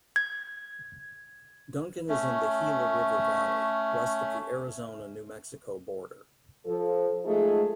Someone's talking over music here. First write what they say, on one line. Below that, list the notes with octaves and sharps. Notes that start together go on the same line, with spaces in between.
Duncan is in the Gila River valley, west of the Arizona-New Mexico border.
G#6
A3 C#4
F3 A4
G#3 A3 D#4 F4 G#4